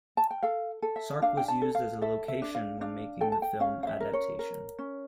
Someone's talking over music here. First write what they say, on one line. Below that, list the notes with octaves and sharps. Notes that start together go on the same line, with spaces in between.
Sark was used as a location when making the film adaptation.
A5
G5
A4 F5
A4
E5
D4 F5
G5
A5
A4
F5
A4 E5
E5
D4
F5
D4 F5
A4 G5
A5
G5
C#4 F5
F5
E5
A#4
C#5
A#4
C#4